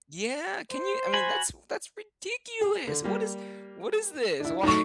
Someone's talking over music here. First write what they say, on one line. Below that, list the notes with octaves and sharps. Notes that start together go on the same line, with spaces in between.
Yeah, can you I mean, that's that's ridiculous. What is what is this? Why
C5
F#4 G#5 B5
G#4
D3
G3 A#3
D4 E4
A2 F#3 A3 D#4 C#6